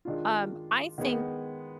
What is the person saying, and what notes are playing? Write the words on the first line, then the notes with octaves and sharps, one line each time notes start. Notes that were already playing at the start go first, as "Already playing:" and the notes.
um, I think,
D#3 G#3 D4 F4
D#3 G#3 B3